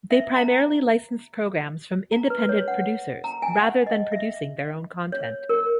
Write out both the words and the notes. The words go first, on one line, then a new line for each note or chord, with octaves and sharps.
They primarily licensed programs from independent producers, rather than producing their own content.
E5
A#5
A#5
B4
C#5
F#5
A#5
G#5
F#5
D#5
E5
C#5
A#4